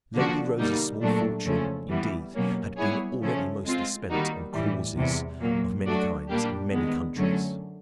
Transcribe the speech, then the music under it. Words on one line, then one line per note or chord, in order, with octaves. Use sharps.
Lady Rose's small fortune, indeed, had been already mostly spent on "causes" of many kinds, in many countries.
D3 F3 A#3 D4 F#4
B2 G3 A#3 D#4
A#2 F#3 A3 D4
F2 C#3 F3 A3 C#4
E3 G3 B3
B2 F#3 A#3 C#4
G3 B3 E4 G#4 C#5
C#3 F3 A3 C#4
G#3 C4 F4
D#3 G3 A#3 D#4 F#4
A2 E3 G3
E2 C3 E3
A#2 F#3 A#3
F#3 A3 D4 F#4
A#2 G3 A#3 D4 G4
D#3 G#3 B3
F#2 D3 F#3 A3 C#4